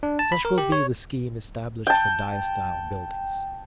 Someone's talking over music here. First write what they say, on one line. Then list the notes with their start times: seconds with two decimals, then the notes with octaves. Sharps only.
Such will be the scheme established for diastyle buildings.
0.03 D4
0.19 A5
0.32 B5
0.45 A#4
0.58 G4
0.72 C#5
1.87 G5 A5